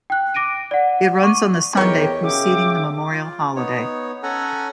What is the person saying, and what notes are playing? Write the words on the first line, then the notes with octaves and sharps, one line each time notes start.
It runs on the Sunday preceding the Memorial Day holiday.
G5 F#6
D6 A#6 D7 D#7
D5 F#5
C#6 D6 D#7
E2 D#3 G4 A#4 C#5 G5
C#3 F#4 E5 G5 D6
F4
B3 D#4 C#5
C#4 A4 F#5 G#5 A#5